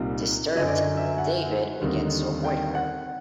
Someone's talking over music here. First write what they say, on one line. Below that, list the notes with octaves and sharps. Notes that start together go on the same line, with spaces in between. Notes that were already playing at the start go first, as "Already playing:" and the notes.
Disturbed, David begins to avoid her.
Already playing: C2 A#2 G3 C4 D#4
F#2 D3 F#3 D#5
D5
D#5
E5
F#5
D#2 D3 G3 C4 D#4
G5
F#5